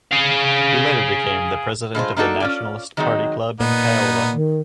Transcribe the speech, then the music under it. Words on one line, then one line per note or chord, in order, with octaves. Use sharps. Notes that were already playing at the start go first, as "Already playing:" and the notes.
He later became the president of the Nationalist Party club in Paola.
G#4 F5
G2 G#3 F4 C5
A#3 D4 D#4 F#4 A4
C#4 F4 D5
D#3 F#3 G#3 C4 D#4
A#2 B3 D#4
D#3